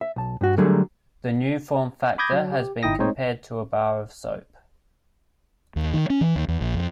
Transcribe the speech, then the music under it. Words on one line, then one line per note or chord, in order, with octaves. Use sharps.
The new form factor has been compared to a bar of soap.
E5
B1 A5
G2 F#4
D3 F#3 G3 A3 G#4 A#4
B5 D6 D#6 G6 G#6 A#6
F#3
G4
G1 D#4 E4 G5 D#6 A#6
G#3 C4 D#4 C5 C#5 D#5
D#2
D#3
C#4
E3
D#2
E2
A#1
F2